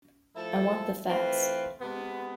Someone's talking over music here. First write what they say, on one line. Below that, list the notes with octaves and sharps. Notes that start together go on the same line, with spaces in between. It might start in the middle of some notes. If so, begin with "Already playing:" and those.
I want the facts.
F3 A3 E4 A4
E3 A3 C4 F4 B4
C3 G#3 B3